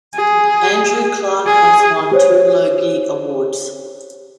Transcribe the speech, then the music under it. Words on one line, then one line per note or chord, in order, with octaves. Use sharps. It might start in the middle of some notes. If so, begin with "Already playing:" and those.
Andrew Clarke has won two Logie Awards.
G#4
G#4
G4 C5 C#5